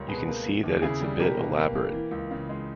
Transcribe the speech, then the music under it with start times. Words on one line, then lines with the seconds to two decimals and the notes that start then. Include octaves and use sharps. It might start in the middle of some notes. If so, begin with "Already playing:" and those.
You can see that it's a bit elaborate?
Already playing: C#2 G3 A#4 C#5
0.08 B2 G#4 B4
0.28 A#3
0.46 E3
0.64 D#2
0.82 C#3 E4 G#4
1.01 G3
1.19 B2 G4 A#4
1.38 B2
1.57 A#3
1.75 A#3
1.93 E3
2.11 C#2
2.31 C#3
2.49 G#3